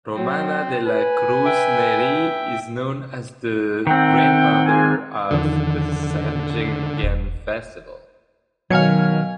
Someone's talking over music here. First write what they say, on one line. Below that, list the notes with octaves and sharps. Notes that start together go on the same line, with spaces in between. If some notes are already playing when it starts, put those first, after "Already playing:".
Romana dela Cruz-Neri is known as the Grandmother of the Sagingan Festival.
F#3 C4
B4 G#5
E5 G5
D#3 C4 E5 F#5 G5
A#3 F4 G#5
E2 D3 D#3 F3
E1
B2 D#3 F#3 F5 G#5 F6 G#6 C#7